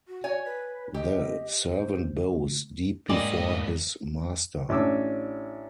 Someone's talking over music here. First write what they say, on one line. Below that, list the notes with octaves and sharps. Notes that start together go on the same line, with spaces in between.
The servant bows deep before his master.
F#4
C#5 G#5
B4
G4 D#5
C5
G#2 G3 G#3 A#3 G#4 D5 D#5
A1 C#4 D4 D6 E6